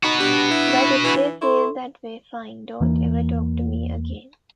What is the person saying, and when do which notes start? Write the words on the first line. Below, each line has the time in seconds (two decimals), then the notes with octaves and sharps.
But if they feel that way, fine, don't ever talk to me again.
0.04 D#4 F#4 B4
0.20 G3 D4
0.51 E4
1.04 E3
1.41 E4 A4 C6 C#6
2.80 E2 E3 A#3